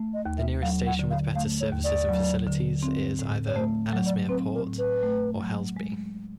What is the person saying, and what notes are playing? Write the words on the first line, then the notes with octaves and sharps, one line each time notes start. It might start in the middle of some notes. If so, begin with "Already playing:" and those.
The nearest station with better services and facilities is either Ellesmere Port or Helsby.
Already playing: A3
D#5
D#2
E5
F#3 F5
F#5
D3
F5
A3 F5
C#5
D#2
D5
F#3
D3
C4
A2
C#5
A3 C5
F#3
D5
C4 B4
A#4
A2
B4
A3
F#3
G#3